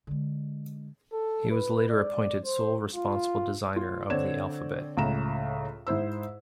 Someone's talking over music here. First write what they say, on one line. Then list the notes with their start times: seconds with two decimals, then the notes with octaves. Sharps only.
He was later appointed sole responsible designer of the alphabet.
0.07 D3 G#3
1.13 A4
1.51 B4
1.90 D5
2.45 C5
2.95 F4
3.76 F4
4.10 D3 C4 C#5 D5 G#6 E7
4.97 C#2 A2 A#5 E7
5.87 G#2 E4 C5 E6